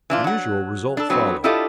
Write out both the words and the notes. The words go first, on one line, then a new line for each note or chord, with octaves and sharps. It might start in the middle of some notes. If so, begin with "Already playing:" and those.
The usual result followed.
E3 D4 F4
F#3 F#5
D4 A4
E3 F#3 B3 C4
D4 E4 F4 G4 A4 D#5